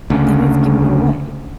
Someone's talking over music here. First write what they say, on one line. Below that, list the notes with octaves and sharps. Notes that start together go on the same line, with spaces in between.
then I've given it away.
D2 C#3